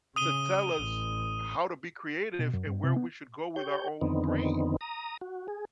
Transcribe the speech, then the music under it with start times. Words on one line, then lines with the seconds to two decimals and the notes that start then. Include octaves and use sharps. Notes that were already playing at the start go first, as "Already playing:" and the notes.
to tell us how to be creative and where we should go with our own brain.
0.16 C#3 D#6 D#7 G7
0.75 A1
2.39 B2
2.54 F#2
2.67 G2
2.84 C3
2.96 B3
3.56 G4 C#5 G6
4.01 F2 D3 D#3 B3 C4 D#4
4.81 A#5 D#6
5.21 F#4
5.48 G#4